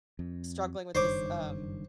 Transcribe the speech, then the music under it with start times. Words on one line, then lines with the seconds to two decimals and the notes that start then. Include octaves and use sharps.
Struggling with this, um,
0.19 F2
0.95 F#1 G2 D#3 C5 C#5 D6